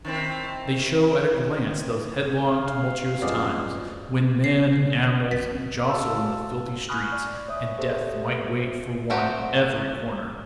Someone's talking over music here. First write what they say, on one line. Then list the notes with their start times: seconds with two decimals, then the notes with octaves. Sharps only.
They show at a glance those headlong, tumultuous times, when men and animals jostled in the filthy streets, and death might wait for one at every corner.
0.05 D#3 C4 E4
2.46 F5
3.22 F#2 F3 G#3 B3 A4 B4 D5 D#5
3.76 F4
4.44 B2 D3 C7
5.31 A#1 F#2 E3 A6 B6
5.55 D2 C4
5.90 F#4 F5 A5 E6
6.89 G#5 B5 C#6 D#6 F6 F#6
7.12 D5
7.48 C#5 E5 D#6
7.78 G4 A4 C5 E5
9.10 F#3 A3 C4 F#4 G4